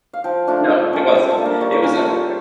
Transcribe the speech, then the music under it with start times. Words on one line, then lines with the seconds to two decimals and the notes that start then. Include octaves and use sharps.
no, it wasn't. It was everywhere.
0.13 F5
0.24 F3 G5
0.47 A3 D4 F4
0.70 F3
0.93 C#4 F4
1.15 G3 G5
1.31 A4
1.38 A#3 D4 F4
1.46 A#4
1.61 G3 C#5
1.72 C#5
1.83 C#4 F4 A#4
1.96 A4
2.06 G3 F4